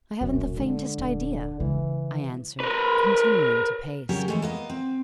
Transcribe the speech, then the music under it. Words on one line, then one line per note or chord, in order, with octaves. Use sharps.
'I haven't the faintest idea,' I answered, continuing to paste.
D#1 B1 F#2
D3 G#3 D4
D#1
C#3 E3 G#3
A#4 B4
C#3 F#3 A#3 C#4 G4 A#4
E3 G#3 A3
A#3 B3 D#5
C4